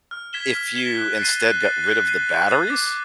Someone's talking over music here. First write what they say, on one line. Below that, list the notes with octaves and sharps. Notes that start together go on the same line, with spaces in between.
if you instead got rid of the batteries,
F6
G#6 B6 E7 G7
F6
G#6 B6 E7 G7
F#6
A6 C7 D#7
F#6
A6 C7 D#7
F#6
A6 C7 D#7
F#6
A6 C7 D#7
D6